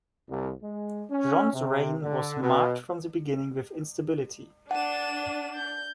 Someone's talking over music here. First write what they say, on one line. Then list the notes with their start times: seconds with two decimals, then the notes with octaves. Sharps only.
John's reign was marked from the beginning with instability.
0.29 C2
0.63 G#3
1.10 C#4
1.54 C3
2.02 D3
2.41 B2
4.71 D4 F#5 D#7 E7
5.55 G6